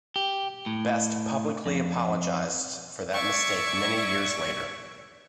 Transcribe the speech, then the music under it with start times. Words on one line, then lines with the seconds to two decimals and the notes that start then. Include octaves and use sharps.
Best publicly apologized for that mistake many years later.
0.16 G4
0.66 A2
1.66 F2
3.11 D5 E5 C#6 G#6